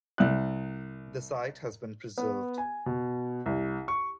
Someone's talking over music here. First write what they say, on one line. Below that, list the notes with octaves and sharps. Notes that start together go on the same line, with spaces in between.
The site has been preserved.
C2 F#6
B3
G#5
B2
C2
C#6